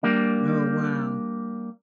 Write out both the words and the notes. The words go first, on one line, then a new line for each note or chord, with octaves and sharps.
Oh, wow.
G3 A#3 D4